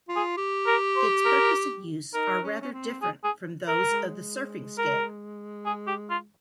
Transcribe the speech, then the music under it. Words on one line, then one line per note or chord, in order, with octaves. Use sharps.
Its purpose and use are rather different from those of the surfing skeg.
F4
G#4
G4
A#4
C5
A#4
D#4 A#4
C#4
C#4
C4
G#4
G#4
A#4
G#3
A#4
G#4
G4
F4